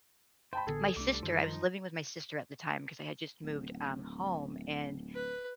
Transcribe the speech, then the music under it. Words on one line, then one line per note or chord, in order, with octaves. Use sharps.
my sister I was living with my sister at the time 'cause I had just moved, um, home, and
C5 G5 A5 B5
A1 D3 B3 G#4 A4
C2 G3 A3 D4 D6
F#2 D#3 F3 G3 D#4
D1
B4